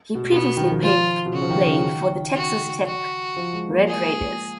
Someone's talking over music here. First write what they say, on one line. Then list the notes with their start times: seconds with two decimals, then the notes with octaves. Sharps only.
He previously played for the Texas Tech Red Raiders.
0.15 B2
0.31 B2 B3
0.57 D#3
0.64 F3
0.72 D#3
0.82 F3 F4
1.26 B2
1.33 C#3 F#4
1.42 F3
1.50 D#3
1.66 C#3
1.84 D#3
2.35 F#4
2.86 F#4
3.36 F3
3.53 G#3
3.70 A#3
3.88 G#4